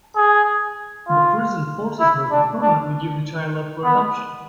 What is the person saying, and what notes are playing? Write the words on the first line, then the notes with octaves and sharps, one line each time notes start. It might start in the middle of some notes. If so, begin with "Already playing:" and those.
The prison forces her to permanently give the child up for adoption.
G#4
F4
E4
D4
D4
B3